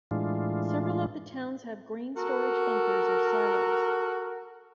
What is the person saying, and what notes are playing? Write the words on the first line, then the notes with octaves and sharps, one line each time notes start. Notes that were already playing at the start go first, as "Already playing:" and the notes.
Several of the towns have grain storage bunkers or silos.
A2 E3 G#3 D4 F4
F#4 A4 A#4